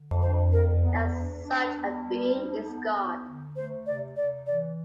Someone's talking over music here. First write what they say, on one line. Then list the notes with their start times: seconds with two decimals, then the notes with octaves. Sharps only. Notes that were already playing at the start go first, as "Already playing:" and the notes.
And such a being is God.
Already playing: D3
0.21 D4 C5
0.52 D3 A#4
0.83 B3
1.13 D4
1.43 D4
1.74 B3
2.05 G3
2.34 D#4
2.64 B3
2.95 B3
3.26 D3
3.56 A3 C5
3.86 C3 D5
4.16 C3 D5
4.46 E3 D5